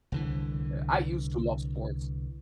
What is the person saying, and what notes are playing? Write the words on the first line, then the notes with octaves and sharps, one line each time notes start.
Yeah, I used to love sports.
C2 D3 E3